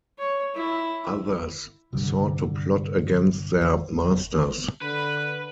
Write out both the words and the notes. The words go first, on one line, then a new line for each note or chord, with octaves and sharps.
Others sought to plot against their masters.
C#5
E4
C2 G2 D3 G3
D3 B4